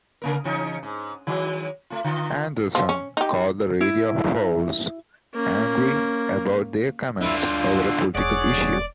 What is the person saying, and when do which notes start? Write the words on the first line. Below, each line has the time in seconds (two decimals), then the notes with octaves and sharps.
Anderson called the radio hosts, angry about their comments over a political issue.
0.22 C#3 A#3 A#4
0.44 C#3 E3 D#4
0.83 G#2
1.27 D#3 F#3 G#3
1.90 A3 F4
2.04 D3 F4
2.75 F3
2.89 C#4
3.17 D#4 G4
3.81 E4
5.35 A#3 C#4
7.21 D2 G2 D3 E4 F4 E5
7.40 C6 G6
7.75 F#5 C6 E6
8.15 E1 G#4 C#5 D5 F#5